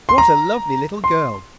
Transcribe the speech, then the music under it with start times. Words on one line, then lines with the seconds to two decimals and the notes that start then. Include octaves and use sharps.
'What a lovely little girl!
0.09 C6
0.18 A#5
1.04 C6